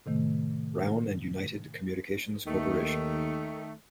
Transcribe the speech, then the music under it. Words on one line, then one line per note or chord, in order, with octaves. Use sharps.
Brown and United Communications Corporation.
A2 C3 D#3 A3
D#2 D#3 A3